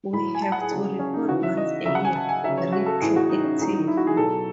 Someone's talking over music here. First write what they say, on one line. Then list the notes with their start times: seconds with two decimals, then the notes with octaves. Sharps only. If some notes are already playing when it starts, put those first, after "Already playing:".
We have to report once a year, retroactively.
0.13 A2 F#3 B5
0.35 G#5
0.42 A5
0.52 F#5
0.61 G#4
0.71 C#3 F#3
0.99 C#4
1.14 D#4
1.29 C#3 E3 F#4
1.43 E5
1.57 D#5
1.85 C#3 F#3 E5
1.95 F#5
2.05 G#5
2.16 A5
2.29 G#5
2.44 C#3 F#3 E5
2.58 C#5
2.73 F#4
2.86 A4
3.01 A2 E3 G#4
3.16 F#4
3.30 D#4
3.44 C#4
3.59 A2 F#3 D#4
3.73 D#4
3.88 E4
3.97 F#4
4.07 G#4
4.17 B2 F#3 A4